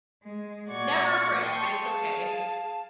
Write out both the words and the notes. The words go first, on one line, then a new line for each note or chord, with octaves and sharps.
never a break, but it's okay.
G#3
A#2 F#4 D5 C#6 G#6
G5 A5 C6 C#6 D#6
G#4 F5 A5